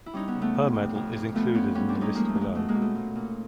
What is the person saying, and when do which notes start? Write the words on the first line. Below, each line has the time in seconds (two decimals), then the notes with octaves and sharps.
Her medal is included in the list below.
0.06 E4
0.13 G3 C#4 D#4
0.28 B3 C#4
0.35 C#3
0.42 A3 B3
0.54 F2
0.75 C3
0.95 F2
1.15 F2
1.35 F3 A3 B3
1.54 F3 B3 C#4
1.75 G3 B3 C#4
1.89 C4 D4
1.95 G3
2.01 C#4 D#4
2.15 F3 G#3 A#3
2.29 A3
2.35 G#2
2.41 G#3
2.55 B2 A3
2.68 G#3 A#3
2.75 B2
2.82 A3
2.95 A#2
3.15 A#2